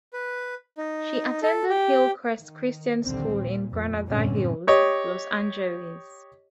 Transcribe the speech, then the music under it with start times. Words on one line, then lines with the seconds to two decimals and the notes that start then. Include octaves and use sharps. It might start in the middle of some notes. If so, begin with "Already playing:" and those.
She attended Hillcrest Christian School in Granada Hills, Los Angeles.
0.13 B4
0.78 D#4
1.42 A4
1.70 G4
2.39 D#3
3.05 A#1 D#2 D3 G3 C4
3.36 A#2
3.70 F2 A#2
4.08 E2 G2 A#2 D3 C4 C#4
4.67 G4 C#5 D#5